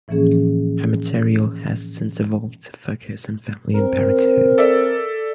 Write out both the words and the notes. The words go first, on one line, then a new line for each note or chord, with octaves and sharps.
Her material has since evolved to focus on family and parenthood.
A2 E3 F3 A#3 C#4 G#4
C4 A#4
A4 D5 E5